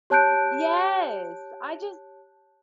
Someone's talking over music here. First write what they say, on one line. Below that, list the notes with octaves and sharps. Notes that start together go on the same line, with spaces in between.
Yes! I just
G4 C#5 A5 F#6 G6 D7